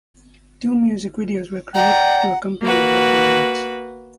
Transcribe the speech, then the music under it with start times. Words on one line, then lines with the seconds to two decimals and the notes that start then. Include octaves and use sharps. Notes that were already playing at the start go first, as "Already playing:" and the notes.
Two music videos were created to accompany "Wuthering Heights".
1.75 D5 F#5 G5 A#5
2.63 A#3 F#4 B4